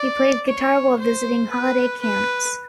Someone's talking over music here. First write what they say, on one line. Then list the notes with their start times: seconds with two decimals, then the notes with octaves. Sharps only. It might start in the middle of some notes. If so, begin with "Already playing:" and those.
He played guitar while visiting holiday camps.
Already playing: D5
0.48 C#5
1.00 C5
1.50 B4
2.01 B4